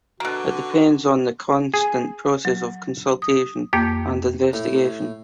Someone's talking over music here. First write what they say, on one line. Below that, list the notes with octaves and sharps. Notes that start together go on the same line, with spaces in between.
It depends on a constant process of consultation and investigation.
B2 D3 A#3 F#4
G#4
F#3
D#6
F2 A#3 G4
A2